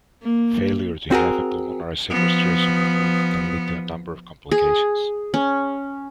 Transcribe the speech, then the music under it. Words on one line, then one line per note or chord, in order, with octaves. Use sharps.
Failure to have a pulmonary sequestration removed can lead to a number of complications.
A#3
C4 F#4 G#4 A#4
F3 B3
G#4
C#4